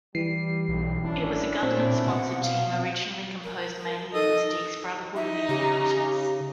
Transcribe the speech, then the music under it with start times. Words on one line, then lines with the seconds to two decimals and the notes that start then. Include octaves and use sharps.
It was a government-sponsored team originally composed mainly of Mystique's Brotherhood of Evil Mutants.
0.15 E3 G3 C7
0.69 B1
1.04 G#1 C#4 D4 E4
1.63 A#2 C4
2.07 B2 F#5
2.41 F5
3.44 A#4
4.14 D#4 A4 D#5
5.16 D#4 E5
5.49 C#3 G4